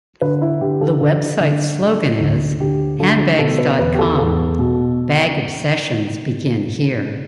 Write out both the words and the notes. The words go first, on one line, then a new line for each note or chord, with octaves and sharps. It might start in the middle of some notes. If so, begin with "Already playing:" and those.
The website's slogan is, "Handbags dot com: Bag Obsessions Begin Here".
D3 B4
E4
D3 G4
A4
D3 A4
D3
D3
D2
D3 G4
D3 A4
B2 A4
B4
E2 B4
G4
A4
E2 A4
B2